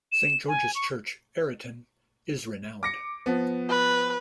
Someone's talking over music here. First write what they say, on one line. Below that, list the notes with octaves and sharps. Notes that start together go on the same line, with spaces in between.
Saint George's Church, Arreton is renowned.
E7
G#5
C#6
D6 A#6 C#7
F3 B3
B4